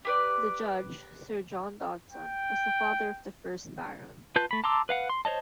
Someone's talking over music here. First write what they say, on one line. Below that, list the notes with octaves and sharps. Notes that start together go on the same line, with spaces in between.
The judge Sir John Dodson was the father of the first Baron.
G4 B4 D5
G5
F4 B4 A5 G6
A3 B5
A5 A#5 C6 D6 E6
B4 F5 F#5
C6
C5 C#5 D#5 A5